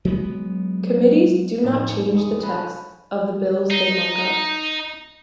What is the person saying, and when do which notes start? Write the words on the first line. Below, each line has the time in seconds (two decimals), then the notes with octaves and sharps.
Committees do not change the texts of the bills they mark up.
0.05 F#3 G#3 B3
1.63 F2 A2 D4 D#4
1.87 A3 D5 G#5 C#7
2.13 E1 D#6
2.43 A4 C#5 D#5 G#5 B5 F#6
3.70 D#4